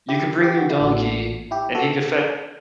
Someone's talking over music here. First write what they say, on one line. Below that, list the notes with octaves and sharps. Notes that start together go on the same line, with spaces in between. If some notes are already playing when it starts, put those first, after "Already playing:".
you could bring your donkey and he could fetch"
E4 G4
G4
F#4
E4
A1 A2 E3 A3 D4 F#4
E4 G4
F#4 A4